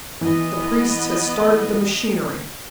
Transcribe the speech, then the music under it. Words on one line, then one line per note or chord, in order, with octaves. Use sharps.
The priests had started the machinery.
E3 B3 D#5